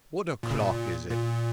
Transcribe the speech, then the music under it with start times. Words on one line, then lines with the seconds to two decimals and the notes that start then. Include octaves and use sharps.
"What o'clock is it?"
0.43 A#2
0.51 C#3
0.59 A#2
1.10 A#2